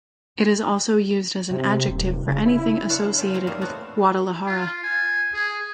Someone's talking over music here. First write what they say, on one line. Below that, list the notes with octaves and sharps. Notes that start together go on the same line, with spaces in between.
It is also used as an adjective for anything associated with Guadalajara.
C3
D#1
C#3
E4
F#3 D4 F4 F#5 A5
A#2 C#3 F4 A4 G5
F#3 C4 C5 A#5
G3 A3 A#3 D#4 F4 A4
A3 B3 C4 F#4
F4
G#5
G#4